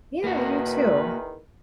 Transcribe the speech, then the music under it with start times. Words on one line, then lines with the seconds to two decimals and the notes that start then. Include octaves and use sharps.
Yeah, you too.
0.24 E2 D#3 A#3 F#4 B4